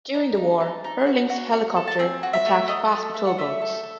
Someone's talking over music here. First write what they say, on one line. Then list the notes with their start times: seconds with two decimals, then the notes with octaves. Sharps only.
During the war, her Lynx helicopter attacked fast patrol boats.
0.14 D#4
0.37 D#4
0.61 D#4 A5
0.84 D#4
1.07 F#4
1.30 F#4
1.53 F#4
1.76 A4
1.88 A5
1.99 C4 G#5
2.23 F#4
2.33 E5
2.46 A3
2.68 A3 D#5
2.92 A4 D#5
3.14 A4 E5
3.27 F#5
3.38 A3 E5
3.61 A4
3.83 A4